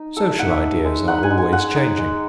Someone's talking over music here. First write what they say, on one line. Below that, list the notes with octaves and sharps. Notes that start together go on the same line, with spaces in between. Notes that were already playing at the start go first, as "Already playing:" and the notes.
Social ideas are always changing.
Already playing: D#4
A3 A4
E5
D#4 F#5
E5
D#4
G#3
D#4 F#5
G#5
G#3
G#5
G#3 F#5
D#4
G#3